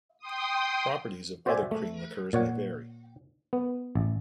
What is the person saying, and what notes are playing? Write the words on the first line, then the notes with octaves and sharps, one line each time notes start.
Properties of other cream liqueurs may vary.
G5 C6 D#6
F#4 C5 D5 E5 G5 G#5
A3
A#2 C#5 F#5
B3
A1